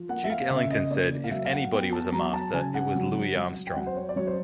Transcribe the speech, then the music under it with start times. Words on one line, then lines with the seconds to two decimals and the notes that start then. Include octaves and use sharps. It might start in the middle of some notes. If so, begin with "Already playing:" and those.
Duke Ellington said, If anybody was a master, it was Louis Armstrong.
Already playing: F3
0.09 A#3 F#5
0.24 E5
0.30 F5
0.50 C#3 E5
0.70 D#5
0.90 A#3 D5
1.24 F5
1.31 F#3 E5
1.45 F5
1.52 F#5
1.72 B3 G5
1.93 A5
2.12 F#3 A#5
2.33 A5
2.53 C#3 G#5
2.74 F#5
2.95 F#3
3.36 F#3
3.67 G5
3.76 F#3 F#5
3.86 C5
3.97 C#5
4.09 D5
4.16 F#3 C#5
4.27 C5